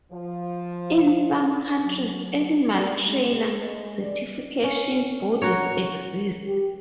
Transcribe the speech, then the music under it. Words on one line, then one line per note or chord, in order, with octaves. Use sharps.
In some countries animal trainer certification bodies exist.
F3
F#3
D5
G#3
G#3
D5
C#4
F#4 A#4 C#5
G4